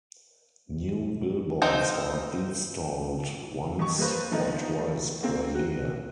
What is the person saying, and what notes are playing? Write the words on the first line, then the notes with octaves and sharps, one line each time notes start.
New Billboards are installed once or twice per year.
F3 C4 D#4
F2 C#6
G3 A#3 B4 C5
D#3 F3 A3 B3 D#4
A3
G#3 A#3 C4
F#4